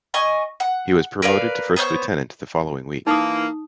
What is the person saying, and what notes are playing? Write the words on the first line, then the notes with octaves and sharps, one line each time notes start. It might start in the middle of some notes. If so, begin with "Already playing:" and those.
He was promoted to first lieutenant the following week.
D#5 G#5 C#6
F#5
A#4 B4 D5 F5
B3 C5 C#5 G6
E3 A#3 D#4 D#6